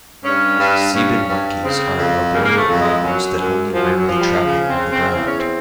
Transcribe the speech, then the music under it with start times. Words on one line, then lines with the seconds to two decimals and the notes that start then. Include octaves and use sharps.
Cebid monkeys are arboreal animals that only rarely travel on the ground.
0.23 G2 C#4
0.58 G2
0.93 G2 C#4
1.28 G2
1.63 C#3 C4
1.98 F2
2.33 C#3 A#3
2.45 A#3
2.57 A3
2.68 F2
2.80 G#3
3.03 F#2 F#3
3.38 F#2
3.73 F#2 F3
3.97 F#3
4.08 F3
4.19 G3
4.43 C#3
4.67 C4
4.78 C#3
4.90 C4
5.13 E2 C4
5.25 C#4
5.38 C4